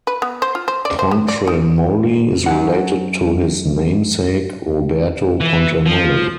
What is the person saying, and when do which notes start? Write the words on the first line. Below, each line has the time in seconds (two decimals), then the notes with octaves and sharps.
Pontremoli is related to his namesake Roberto Pontremoli.
0.07 B4
0.22 B3
0.42 C5
0.55 F4
0.68 C5
0.85 D5
0.99 C5
1.11 B3
1.28 D5
1.48 D#4
2.46 F#2 D#3 F#5
5.41 E3
5.86 F3